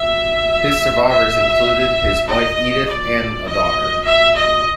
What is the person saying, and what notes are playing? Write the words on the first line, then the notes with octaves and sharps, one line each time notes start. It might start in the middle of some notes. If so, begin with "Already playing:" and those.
His survivors included his wife Edyth and a daughter.
Already playing: E5
E5
D#5
D5
D#5
E5
D#5